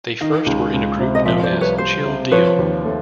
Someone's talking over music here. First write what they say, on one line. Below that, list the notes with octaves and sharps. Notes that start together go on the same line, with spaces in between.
They first were in a group known as Chill Deal.
D#3 D#5 F5
C#2
C#2
C3
D#5
F3 D5 E5
C5 D5
C2
B4 C#5
C2 C5
C3
F3 B4 C#5
D#2
A3